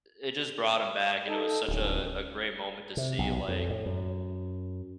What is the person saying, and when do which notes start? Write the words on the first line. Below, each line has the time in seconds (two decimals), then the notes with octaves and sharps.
it just brought him back, and it was such a a great moment to see, like,
1.28 D#4 A4
1.68 D1 D#3 G3 C#4
2.97 C3
3.19 B1
3.48 F2
3.70 A2
3.86 F#2